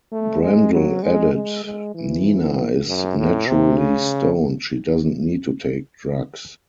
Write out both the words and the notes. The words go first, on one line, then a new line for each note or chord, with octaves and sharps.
Brendel added, Nena is naturally stoned, she doesn't need to take drugs.
A3
G#3
F#3
G#3
G#3
G#3
E3
F#2
A2
C3
C#3